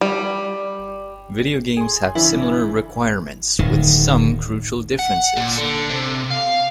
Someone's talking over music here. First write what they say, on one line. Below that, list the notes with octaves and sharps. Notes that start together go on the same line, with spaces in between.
Video games have similar requirements, with some crucial differences.
G3
G#4 C6
C#3 E3 D4 E4
D1 D#3
F#5
A#2
D3
C3
F5